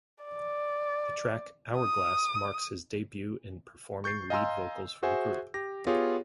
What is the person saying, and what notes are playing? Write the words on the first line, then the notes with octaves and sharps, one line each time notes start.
The track "Hourglass" marks his debut in performing lead vocals for the group.
D5
D#6
C#6 G6 A6 C7
D#5 F5 G#5 A#5 C6 E6
F#4 G#4 C5 E5 F#5 G#5
G4 A#6
B3 F4 G4 G#4 C#5